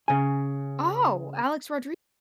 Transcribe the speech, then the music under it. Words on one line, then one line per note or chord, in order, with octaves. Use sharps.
Oh, Alex Rodri
C#3 G#5